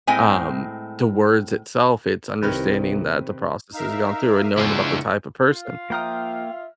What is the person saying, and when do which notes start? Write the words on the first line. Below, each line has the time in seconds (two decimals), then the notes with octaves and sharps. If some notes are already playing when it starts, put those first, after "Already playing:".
um, the words itself, it's understanding that the process has gone through and knowing about the type of person.
0.07 A2 G#3 C4 G#5
2.43 C2 C3 D#3 A#4 B4
3.74 D#4 A#4 E5 F5
4.57 C#2 D4 E4 F4 G#4 C#6
5.50 F4 F5
5.90 F3 A#3 E5 G5 A#5 D#6 F6